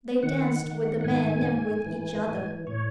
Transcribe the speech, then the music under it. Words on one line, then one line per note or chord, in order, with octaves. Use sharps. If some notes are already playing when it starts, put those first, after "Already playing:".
They danced with the men and with each other.
D#3 F#5
D#3
F#5
G#2 G#5
G#2
E3
E3
A2 C#5